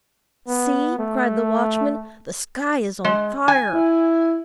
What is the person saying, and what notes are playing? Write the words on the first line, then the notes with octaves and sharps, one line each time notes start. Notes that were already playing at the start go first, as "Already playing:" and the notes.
"See!" cried the watchman, "the sky is on fire!"
B3
A3
G#3
G#5
E4